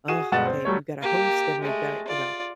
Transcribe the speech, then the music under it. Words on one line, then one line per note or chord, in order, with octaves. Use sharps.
"Oh, okay, we've gotta host, and we've gotta" you know?
F#4 G#4 D#7 E7
G1 B2 G#3 F#5 A6 E7
C4
F#3 G3 A3 C#5
A#3 G4
G#3 A3
F4 D5